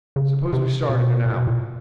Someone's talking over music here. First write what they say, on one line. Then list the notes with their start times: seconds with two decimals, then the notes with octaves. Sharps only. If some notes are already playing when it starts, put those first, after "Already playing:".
Suppose we start in an hour.
0.16 C#3
0.53 C3
0.89 B2
1.26 A#2
1.36 B2
1.47 A#2